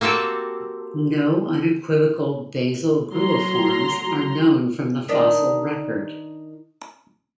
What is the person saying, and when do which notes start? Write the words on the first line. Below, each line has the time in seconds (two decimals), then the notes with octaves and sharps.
No unequivocal basal gruiforms are known from the fossil record.
0.01 A#3 C4 F#4 G4 A4
3.12 F#3 A#5 C6
5.08 D#3 D4 D#4